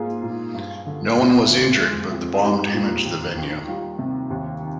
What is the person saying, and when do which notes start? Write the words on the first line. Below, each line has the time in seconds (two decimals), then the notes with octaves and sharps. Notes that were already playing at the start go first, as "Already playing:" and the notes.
No one was injured, but the bomb damaged the venue.
Already playing: G#2 A#3 F4 G#4
0.23 A#2
0.54 G2
0.86 D3
1.18 D2
1.49 D3
1.80 G#3
2.12 F2
2.34 G#4
2.43 G#3 D#4 G4
2.74 A#2
3.05 D#2
3.37 D#3
3.68 G3 F4
3.99 C3
4.31 D#2
4.62 D#3